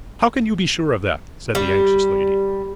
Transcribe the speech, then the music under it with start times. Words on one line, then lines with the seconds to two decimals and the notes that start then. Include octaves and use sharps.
"How can you be sure of that?" said the anxious lady.
1.55 G3